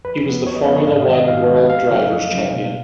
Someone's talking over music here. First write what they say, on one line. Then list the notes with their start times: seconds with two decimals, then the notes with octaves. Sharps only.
He was the Formula One World Drivers' Champion.
0.05 F2 B4
0.25 F3 B3
0.46 F2 C#5
0.56 D#5
0.66 F3 B3 A#4
0.76 C#5
0.87 G#2 F5
1.00 D#5
1.08 D#3 G#3 B3
1.15 D#5
1.28 G#2 F5
1.49 D#3 G#3 B3
1.69 F2 F5
1.87 D#5
1.90 C#3 F#3 A#3 F5
2.11 F2
2.31 C#3 F#3 A#3
2.52 B2